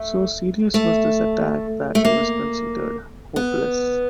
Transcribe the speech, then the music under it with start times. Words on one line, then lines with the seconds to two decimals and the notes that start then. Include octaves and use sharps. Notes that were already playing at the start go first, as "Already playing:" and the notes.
So serious was this attack that he was considered hopeless.
Already playing: A3
0.74 A3
1.95 A3
2.05 A#3
3.36 B3